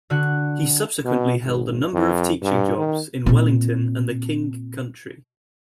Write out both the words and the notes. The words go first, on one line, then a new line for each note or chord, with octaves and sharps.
He subsequently held a number of teaching jobs in Wellington and the King Country.
D3 F#4 F#6
B2
G#1
F2
G2
D#3
A#2 C4